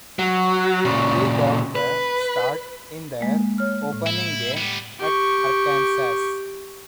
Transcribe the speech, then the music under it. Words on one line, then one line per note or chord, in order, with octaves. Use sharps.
He got the start in their opening game at Arkansas.
F#3
A#2 C#3
B4
G#3 A#3
C#5 F6
A2
E4
G3 B3
G4 C#6